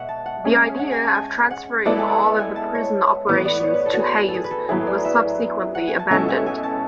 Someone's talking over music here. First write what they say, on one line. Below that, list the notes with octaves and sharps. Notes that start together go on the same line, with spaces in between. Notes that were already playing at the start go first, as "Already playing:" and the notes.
The idea of transferring all of the prison operations to Hayes was subsequently abandoned.
Already playing: B2 G#3 E5 F#5
A5
F#5
G#3 C#4 G#4
F#5
G#5
A5
G#5
F#5
G#3 B3 E4 A4 D5 A5
G#5
F#5
E5
G#5
A5
C#5
A2 E3 B3
D5
C#5
B4
A4
F#4 G#4
A4
G#4
B4
A4
A2 F#3 B3 E4 G#4 B4
D5
E5
F#5
G#5
A5
B2 G#3 C#4 E4 A4 G#5
G#5
G#5
A5